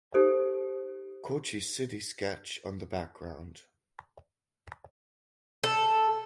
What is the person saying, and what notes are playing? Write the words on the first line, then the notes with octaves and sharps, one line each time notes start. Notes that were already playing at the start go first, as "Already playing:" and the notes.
Kochi city sketch on the background.
D#4 G4 A4 C5
A4